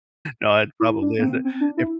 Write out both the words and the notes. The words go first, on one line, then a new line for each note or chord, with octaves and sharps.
No, it probably isn't, if
E4
D4
A#3
C4
C4
D4
E4